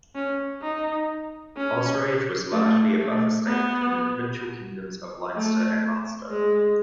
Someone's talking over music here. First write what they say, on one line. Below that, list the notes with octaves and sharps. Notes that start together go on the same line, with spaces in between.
Osraige was largely a buffer state between the provincial kingdoms of Leinster and Munster.
C#4
D#4
C#4
A3
A3
B3
A3
G#3